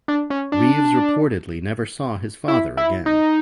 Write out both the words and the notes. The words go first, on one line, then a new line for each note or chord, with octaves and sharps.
Reeves reportedly never saw his father again.
D4
C#4
D4
E4
E4
D#4